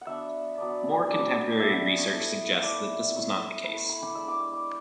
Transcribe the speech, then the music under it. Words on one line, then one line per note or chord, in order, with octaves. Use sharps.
More contemporary research suggests that this was not the case.
F#5
F#3 B3 D4 E5
F#3 B3 D4 D5
F#3 B3 D4 D5
F#3 B3 D4 E5
F#5
G#5
C#6
A3 E4
C#5
A3 E4 D5
A3 E4 C#5
A3 E4 B4
C#5
B5
D6
G#3 D4 E6
D6
E6
D6